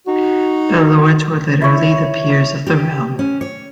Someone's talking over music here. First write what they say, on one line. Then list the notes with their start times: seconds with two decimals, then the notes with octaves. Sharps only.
The Lords were literally the peers of the realm.
0.07 D#4 F#4
1.62 E4 C#5
2.67 G4
3.19 C#4
3.41 C#5